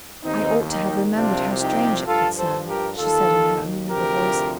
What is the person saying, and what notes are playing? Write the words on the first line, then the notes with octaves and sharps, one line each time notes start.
"I ought to have remembered how strange it would sound," she said in her amenable voice.
D#2 D#3 C4 D#4
D#4 G4
C2 C3 F3 D4 F4
D#4 G4
G2 F3 F4 A4
A4 C5
G4 A#4
D#2 D#3 F4 A4
D2 C3 F3 G4 A#4